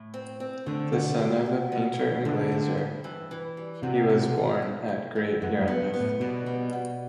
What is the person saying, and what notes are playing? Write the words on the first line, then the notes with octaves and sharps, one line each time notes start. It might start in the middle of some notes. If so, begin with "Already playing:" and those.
The son of a painter and glazier, he was born at Great Yarmouth.
Already playing: A2
C4
C4
D3 A3
B2
G4
B2
B2
B2
G2 D3
C4
G2
E3
E3
G3
C3 F#3
B2
E2
G2
G2
E3
F#2 B3
F#2
B3
G2
B3
A2
B2 G3
G3
B2